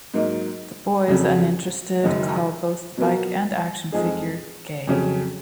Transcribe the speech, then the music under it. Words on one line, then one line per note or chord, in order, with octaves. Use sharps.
The boys, uninterested, call both the bike and action figure "gay".
G#2 F#3 A#3 D#4
F2 C#3 F#3
F#1 F#2 D#3 G#3
B2 F#3 B3 F#4 A#4
F2 F3 G#3 D#4 G#4
F2 C#3 F#3 C#4